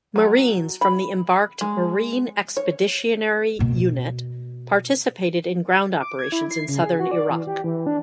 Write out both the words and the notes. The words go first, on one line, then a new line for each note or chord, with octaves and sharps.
Marines from the embarked Marine Expeditionary Unit participated in ground operations in southern Iraq.
F#3
B5
G#3
C#5
B2 A#3
D6
G#6
E4
C7
C#3
G#4
F#4
D5
E3
G4
E3
D4